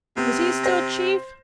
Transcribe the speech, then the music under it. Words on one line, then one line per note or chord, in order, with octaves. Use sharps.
"Is he still chief?"
C3 B3
C5 A#6